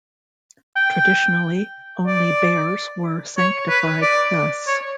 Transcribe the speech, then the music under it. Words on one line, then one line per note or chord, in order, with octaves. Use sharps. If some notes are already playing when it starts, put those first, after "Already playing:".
Traditionally, only bears were sanctified thus.
G5
D5
C#5
B4
D5
C#5